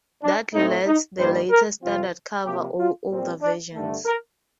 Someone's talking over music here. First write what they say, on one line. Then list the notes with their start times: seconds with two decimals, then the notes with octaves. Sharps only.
That lets the latest standard cover all older versions.
0.23 D4
0.54 A2 A3 C4 D#4
0.86 D#4
1.17 G2 D#3 G3 A#3 C5
1.50 A#4
1.82 F2 C3 F3 C4 F4
2.45 C3 F3 A#3 G4
2.78 F4
3.09 A#2 G3 C4
3.41 D4
3.73 G2 D3 A3
4.06 A#4